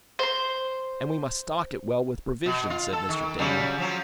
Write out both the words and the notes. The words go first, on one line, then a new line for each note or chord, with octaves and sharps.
"And we must stock it well with provisions," said Mr. Damon.
C5 C6
B2
F4
A4
D#3
C#3 F#3 G3
F3 F#3